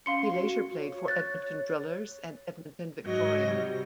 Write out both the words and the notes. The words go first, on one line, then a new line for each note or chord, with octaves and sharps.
He later played for Edmonton Drillers and Edmonton Victoria.
C#4 F5 C6 C#7
F#4
C#5
F#6 A6
G#2 F#3 D#5
C3 G3